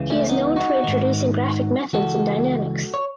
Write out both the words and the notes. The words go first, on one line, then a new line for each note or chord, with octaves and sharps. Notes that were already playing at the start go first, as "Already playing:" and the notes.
He is known for introducing graphic methods in dynamics.
Already playing: C#2 C#3 E3
A3 C#4
B3 D#4
D#4 F#4
G#2 D#3
C#2 C#3 E3 F#4 A4
C#5